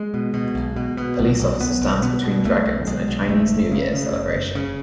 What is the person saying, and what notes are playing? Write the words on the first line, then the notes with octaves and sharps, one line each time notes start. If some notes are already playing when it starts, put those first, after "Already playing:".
A police officer stands between dragons in a Chinese New Year celebration.
Already playing: G#3
B2
B2
B1
B2
B2
B1
B1
B1 B3
B1
B2 B3
B2
B1 A3
B1
B1 G#3
B1
F#1 A3
F#1
C#3
C#3
F#1
F#1
C#3